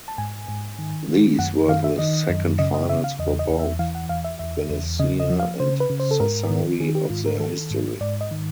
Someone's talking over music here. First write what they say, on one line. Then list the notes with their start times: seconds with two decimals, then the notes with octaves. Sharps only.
These were the second Finals for both Venezia and Sassari of their history.
0.08 A5
0.18 G#2 G#5
0.48 G#2
0.79 D#3
1.09 D#3
1.39 F#2 F#5
1.68 D#3 F5
1.84 E5
1.99 D#3 D#5
2.29 F#2
2.59 C#3 D#5
2.74 D#5
2.89 C#3 E5
3.04 F5
3.19 E2 D#5
3.39 D#5
3.49 E2
3.59 E5
3.79 E3 F5
3.95 F#5
4.09 E2 F5
4.24 E5
4.39 E2 E5
4.70 E2
4.99 C#3 D#5
5.20 D#5
5.30 F3
5.39 F5
5.60 C#3 C5
5.80 B4
5.90 C#3
6.00 C5
6.11 A4
6.20 G#2 A#4
6.51 D#3
6.80 D#3 G#4
6.95 G4
7.10 G#2 F4
7.26 A#4
7.40 D#3 A4
7.70 G#2
8.01 G#2 D5
8.21 D#5
8.31 D#3